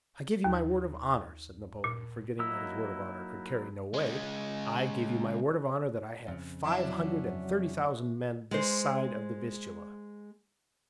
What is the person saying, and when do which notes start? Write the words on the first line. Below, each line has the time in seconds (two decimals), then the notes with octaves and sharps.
I give you my word of honor," said Napoleon, forgetting that his word of honor could carry no weight--"I give you my word of honor that I have five hundred and thirty thousand men this side of the Vistula.
0.44 D#2
1.84 A#2
2.39 F#3 A#3 D#4 E4 E6
3.94 C#3 G#3
6.28 F2 C#3
6.63 F#3 C#4 D4 E4
8.51 G#3 C5